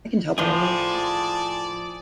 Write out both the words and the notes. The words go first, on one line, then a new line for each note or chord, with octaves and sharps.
I can tell by your loyalty.
A2 F3 G#4 D5 A5 C6